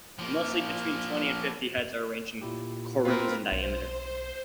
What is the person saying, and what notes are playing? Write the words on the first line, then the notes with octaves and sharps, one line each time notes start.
Mostly between twenty and fifty heads are arranged in corymbs in diameter.
F3 A#3
A#2 E4 G4
A#3 C4 F4 A#4 B4
B1 C5